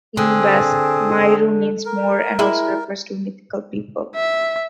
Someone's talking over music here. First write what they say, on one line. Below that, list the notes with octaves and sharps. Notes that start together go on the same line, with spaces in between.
In Basque, "mairu" means moor and also refers to a mythical people.
D3 C4 G#4
A#4
G#3 E4
E5